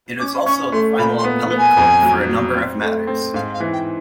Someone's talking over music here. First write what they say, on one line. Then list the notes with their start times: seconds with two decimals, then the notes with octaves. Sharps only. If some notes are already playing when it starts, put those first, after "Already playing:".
It is also the final appellate court for a number of matters.
0.20 C#4 D6
0.46 C#4 C#6
0.72 A3 C6
0.98 A#2 B5
1.18 C6
1.24 B3
1.51 B3
1.58 G#5
1.77 F2
2.03 F#3
2.29 F#3
2.55 C4
2.82 A3
3.07 C4
3.34 G#2 F5
3.54 F5
3.60 E3
3.73 G5